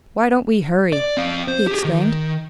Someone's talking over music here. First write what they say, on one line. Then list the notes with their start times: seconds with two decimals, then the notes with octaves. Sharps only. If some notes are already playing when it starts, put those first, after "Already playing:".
"Why don't we hurry!" he exclaimed.
0.93 D5
1.17 C4 F5
1.48 C5
1.67 G4 G#4
1.85 D#3